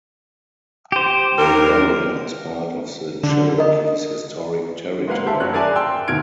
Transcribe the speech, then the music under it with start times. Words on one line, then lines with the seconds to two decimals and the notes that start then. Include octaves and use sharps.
The area is part of the Cherokees' historic territory.
0.92 G4 C5
1.38 D#2 A#4
3.23 D3
3.58 A#4 D#5
5.07 G#3 A#3 B4 C5 F5 F#5
5.26 G4 C5 E5 A5
5.40 F#2 F#3 C#4 F#6
5.53 G#4 A#4 D5 E5 G#5 A5
5.76 G5 A5 C6 E6
6.08 D2 B2 D#3 F6 G#6 D7